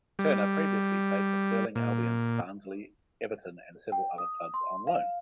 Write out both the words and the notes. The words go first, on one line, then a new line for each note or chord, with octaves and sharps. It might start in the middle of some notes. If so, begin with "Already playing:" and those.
Turner previously played for Stirling Albion, Barnsley, Everton and several other clubs on loan.
G3
A#2
G5
D#6
C6
F5